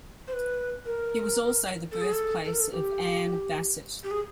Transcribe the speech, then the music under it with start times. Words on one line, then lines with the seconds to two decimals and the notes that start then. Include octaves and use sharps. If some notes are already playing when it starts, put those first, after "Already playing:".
It was also the birthplace of Ann Bassett.
0.28 C5
0.33 B4
0.86 A#4
1.92 A4
2.01 G#4
2.12 A4
2.44 A4
2.53 A#4
2.61 A4
2.72 G4
4.04 G4
4.11 G#4